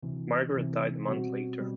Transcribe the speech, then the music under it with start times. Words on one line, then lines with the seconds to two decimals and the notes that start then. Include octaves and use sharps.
Margaret died a month later.
0.03 D2 C3 E3
0.56 D2 C3 E3
1.08 B2 G3 C4 F#4
1.60 B2 G3